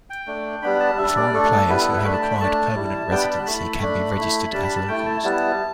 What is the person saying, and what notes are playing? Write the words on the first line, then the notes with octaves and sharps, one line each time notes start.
Foreign players who have acquired permanent residency can be registered as locals.
G5
A3 D4
G3 B3 D4 B5
A5
G3 D4 E5
D5
A3 D4 A4
A4
G3 B3 E4 B4
A4
B4
A3 D4 B5
A5
G5
B5
A3 D4 A5
G3 E4
G3 B3 D4 G5
B5
A5
A3 E4 B5
A3 D4
A3 E4
G3 D4 A5
B5
A5
A3 E4 G5
A5
G3 B3 E4 A5